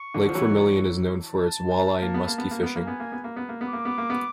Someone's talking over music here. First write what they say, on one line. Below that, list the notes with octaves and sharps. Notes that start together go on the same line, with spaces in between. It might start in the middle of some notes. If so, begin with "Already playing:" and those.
Lake Vermilion is known for its walleye and muskie fishing.
Already playing: C#6
D3 E3
F3
E3 F#3
A5
A#3
B3
A#3
B3
A#3
B3
A#3
B3 G#5
A#3
B3
A#3
B3
A#3
B3
A#3 D6
B3
A#3
B3